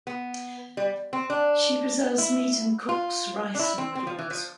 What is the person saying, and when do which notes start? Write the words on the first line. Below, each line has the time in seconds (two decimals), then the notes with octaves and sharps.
She preserves meat and cooks rice noodles.
0.07 B3
0.77 G3
1.13 C4
1.30 D4
2.18 E4
2.89 F4
3.55 D4
3.59 E4
3.78 C4
3.95 C4
4.07 F3
4.19 E3
4.30 F3